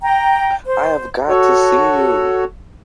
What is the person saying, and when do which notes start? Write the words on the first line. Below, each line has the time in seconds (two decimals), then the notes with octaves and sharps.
I have got to see you.
0.02 G5 A#5
0.65 C5
1.29 F#4 A4 C#5